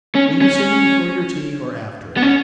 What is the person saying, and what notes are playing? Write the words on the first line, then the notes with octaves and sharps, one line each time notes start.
"Will you sing before your tea, or after it?"
C#4
C#4
B3
C#4